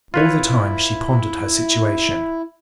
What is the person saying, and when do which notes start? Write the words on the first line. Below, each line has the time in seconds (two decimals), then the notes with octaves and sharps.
All the time, she pondered her situation.
0.14 E4 F4 B4 C#5